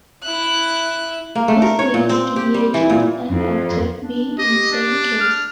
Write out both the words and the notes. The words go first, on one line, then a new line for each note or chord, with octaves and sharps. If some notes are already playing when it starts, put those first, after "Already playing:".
This leads to the agent and object being in the same case.
E4 F#6
A#3
A3
A#4
C#5
A#2
C4
G4
G3
E3
A#2
F2
D4
G4 D#5
D4
F6